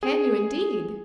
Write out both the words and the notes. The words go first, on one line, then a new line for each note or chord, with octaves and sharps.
"Can you, indeed!"
G#4